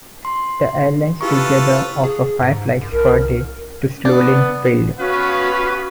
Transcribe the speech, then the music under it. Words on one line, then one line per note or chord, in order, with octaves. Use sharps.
The airlines together offer five flights per day to Sloulin Field.
C6
E4 F4 G4 A4 B4 C#6
G#4
G#2
F#2
C2 A#4
B3 D4
B3 C#4 F#4 B4 F5